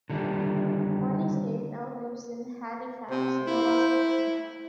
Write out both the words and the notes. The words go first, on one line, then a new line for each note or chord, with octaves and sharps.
Morrissey now lives in Halifax, Nova Scotia.
D3 D#3 G3
C3 C5
E4